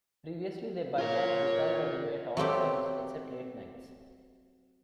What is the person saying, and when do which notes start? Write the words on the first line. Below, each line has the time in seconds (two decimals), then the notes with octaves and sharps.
Previously, they bypassed DeKalb Avenue at all times except late nights.
0.98 F4 A#4 C#5
2.37 F#3 A3 C4 G4